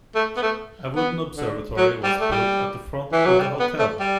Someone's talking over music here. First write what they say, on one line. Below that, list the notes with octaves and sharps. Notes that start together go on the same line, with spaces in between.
A wooden observatory was built at the front of the hotel.
A3
B3
A3
B3
D3
F#3
G3
A3
G3
E3
F#3
G3
B3
A3
G3